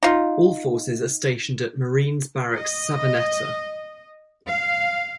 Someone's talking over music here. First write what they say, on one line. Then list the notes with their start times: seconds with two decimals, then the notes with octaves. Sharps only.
All forces are stationed at Marines Barracks Savaneta.
0.03 D#4 F4
2.56 D#5
4.48 F5